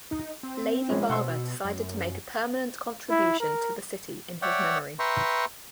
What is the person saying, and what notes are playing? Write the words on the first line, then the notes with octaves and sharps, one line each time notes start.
Lady Barber decided to make a permanent contribution to the city in his memory.
D#4
C4
A#1 G#3 C#4
B2 F#5 C6 E6
F#2
E4
A#4
C#5 D5 E5 F#5 G5
B4 E5 G5 A#5 C6 C#6